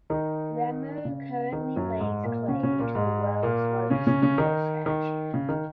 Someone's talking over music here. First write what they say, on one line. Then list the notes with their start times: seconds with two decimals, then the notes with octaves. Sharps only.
Remer currently lays claim to the World's Largest Eagle statue.
0.10 D#3 D#4
1.05 C#3
1.53 D#3
1.76 F#2 F#3
2.00 G#2 G#3
2.24 A#2 A#3
2.48 C#3 C#4
2.63 C#3 C#4
2.79 A#2 A#3
2.95 G#2 G#3
3.43 A#2 A#3
3.90 C#3 C#4
4.07 C#3 C#4
4.22 C#3 C#4
4.38 D#3 D#4
4.86 D#3
5.34 C#3
5.49 D#3